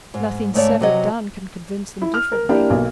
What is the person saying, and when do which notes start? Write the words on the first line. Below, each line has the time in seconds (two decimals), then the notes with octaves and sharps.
Nothing said or done can convince them differently.
0.14 G#2
0.54 D2 G#2 A3 C#5 D5
0.80 C3 F#3 D#5
2.02 E4
2.14 F6
2.32 A#4
2.49 A#3 D4 E4 G4
2.70 B1 A#3